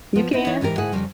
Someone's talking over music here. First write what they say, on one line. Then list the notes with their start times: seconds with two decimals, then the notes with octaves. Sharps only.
You can?
0.16 F3 B3 F4
0.33 C4 D#4 E4
0.46 E3 D#4 E4 C#5
0.61 G#2 E3 G4 A#4
0.78 D2 G#2 E4 G#4 F#5
0.92 F2 C#3 G3